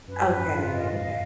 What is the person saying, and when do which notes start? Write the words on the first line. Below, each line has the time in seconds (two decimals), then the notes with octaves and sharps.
Okay, okay.
0.08 F#2 B4
0.22 G#2
0.29 B4
0.36 F#2
0.51 F4
0.71 D#5
0.84 A#2
0.92 F2 G#2 F5